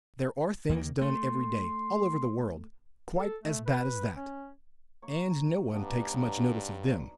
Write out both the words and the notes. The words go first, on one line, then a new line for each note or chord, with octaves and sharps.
There are things done every day, all over the world, quite as bad as that, and no one takes much notice of them.
D#2 D#3 A#3
A3 C6
A4
A3
B4
C#4
A#3 C#5
G2 B3 D4 D#4
F#3 A#5